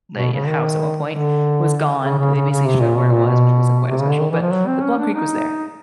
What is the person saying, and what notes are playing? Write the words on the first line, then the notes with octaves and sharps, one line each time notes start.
like, house at one point, was gone. They basically showed where it was, which wasn't quite as special, but the Plum Creek was there.
B2
C#3
D#3
D3
C#3
C#3
C#3
C#3
C3
A#2
B2
A#2
B2
C3
C#3
D3
D#3
E3
F3
F#3
C4
C#4
D4
D#4